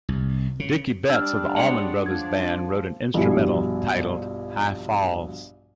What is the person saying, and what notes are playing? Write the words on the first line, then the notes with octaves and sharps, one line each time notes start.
Dickey Betts of The Allman Brothers Band wrote an instrumental titled "High Falls".
C2
C#3
G3 D4 E6 F6
G#3 C#5 D5 F#5
F3 G#6
A#1 G2 B2 E4 G4